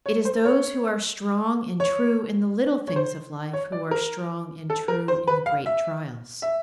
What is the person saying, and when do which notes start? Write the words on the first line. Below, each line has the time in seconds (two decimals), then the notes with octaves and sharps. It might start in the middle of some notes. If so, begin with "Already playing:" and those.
"It is those who are strong and true in the little things of life who are strong and true in the great trials."
0.06 C#5
0.25 C5
0.45 C#5
1.80 C#5
2.88 C#5
2.96 C5
3.53 C#5
3.72 D5
3.91 A#4
4.70 A4
4.88 A#4
5.08 C5
5.27 B4
5.46 F5
5.66 E5
6.42 E5